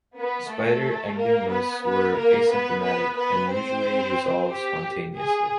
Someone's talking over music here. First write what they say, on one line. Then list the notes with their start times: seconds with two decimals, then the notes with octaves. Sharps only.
Spider angiomas are asymptomatic and usually resolve spontaneously.
0.17 B3 B4
0.51 A3 A4
1.18 A#3 A#4
1.51 B3 B4
1.84 B3 B4
2.17 A#3 A#4
2.51 B3 B4
2.83 B3 B4
3.17 B3 B4
3.51 C4 C5
4.50 G4
5.17 G#4